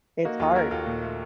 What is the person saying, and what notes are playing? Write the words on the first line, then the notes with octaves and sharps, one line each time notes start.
It's hard.
A#3 D#4 F#4
D#2 F4 A4
A#3 F#4 A#4
D#2 F4 A4
A#2
A3